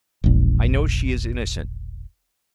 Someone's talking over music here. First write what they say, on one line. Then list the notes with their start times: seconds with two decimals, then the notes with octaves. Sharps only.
I know she is innocent.
0.24 E1 A#1